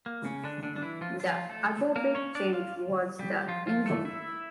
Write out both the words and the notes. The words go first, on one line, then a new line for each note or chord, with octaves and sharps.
The other big change was the engine.
A#3
C#3 C#4
D3 D4
D3 D4
D4
E3 E4
F3 F4
F3 F4
A3 A4
A#3 A#4
C#4 C#5
D4 D5
F4 F5
G3 G4
F3 F4
F3 F4
A3 A4
E4 E5